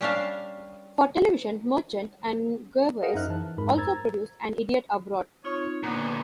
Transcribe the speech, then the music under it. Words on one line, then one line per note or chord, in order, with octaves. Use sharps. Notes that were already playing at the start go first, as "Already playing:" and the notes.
For television, Merchant and Gervais also produced "An Idiot Abroad".
G3 C#4 D4 G4 F5 A5
G#4 A#4 C5 D#5 F5 F#5
F#2 D#4 C5 E5 F6 F#6
E3 A5
F2 G#2 A#4 B5
C5 A#5 E6 G#6 A6
C4 D#4 F4 C#5
A#2 D3 A#3 B3